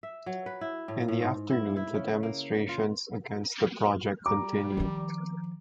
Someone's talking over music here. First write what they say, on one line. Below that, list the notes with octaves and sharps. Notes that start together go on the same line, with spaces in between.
In the afternoon, the demonstrations against the project continued.
E5
F#3
B4
E4
A2
A2
G#2
E4
E4
C#3
A#3
F4
G3 A#5 D6
D#3 F3